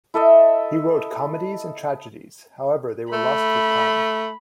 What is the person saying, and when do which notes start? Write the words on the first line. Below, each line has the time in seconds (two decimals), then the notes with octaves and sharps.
He wrote comedies and tragedies, however they were lost with time.
0.14 E4 A4 D#5 E5
3.13 A3 B5